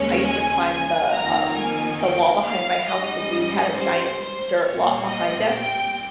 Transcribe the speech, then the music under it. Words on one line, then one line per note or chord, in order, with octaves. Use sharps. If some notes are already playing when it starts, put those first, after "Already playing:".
I used to climb the, um, the wall behind my house 'cause we had a giant dirt lot behind us,
Already playing: D#2 C#3 G#3 C#4 C#5
G#5
G#5
F2 D#3 A#3 A#5
G#5
G5
F5
G#2 G3 C#4 D#5
C5
C5
A#2 G3 C4 C#5
D#5
G5